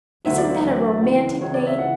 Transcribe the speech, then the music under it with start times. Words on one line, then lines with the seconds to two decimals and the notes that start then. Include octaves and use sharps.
Isn't that a romantic name?
0.25 E1 D2 D3 F#3 E5
0.38 D5
0.50 E5
0.64 E1 D2 D3 F#3
1.02 C#2 C#3 E3
1.40 C#2 C#3 E3 C#5
1.54 D5
1.67 E5
1.78 C#3 E3 F#5